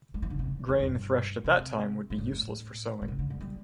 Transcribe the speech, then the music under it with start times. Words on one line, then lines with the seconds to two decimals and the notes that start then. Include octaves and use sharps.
Grain threshed at that time would be useless for sowing.
0.14 G3
0.22 E3
0.30 D3
0.39 C3
0.69 E2
0.79 G2
1.44 C3
2.10 G2
2.18 A2
2.27 G2
2.35 A2
3.02 A2
3.08 C3
3.19 D3
3.30 G3
3.41 G3